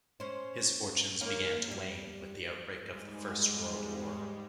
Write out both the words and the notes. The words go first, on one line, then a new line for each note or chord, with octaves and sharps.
His fortunes began to wane with the outbreak of the First World War.
C#4 C5
D#2 A#3 C#4
G3
G#2 G3 G#3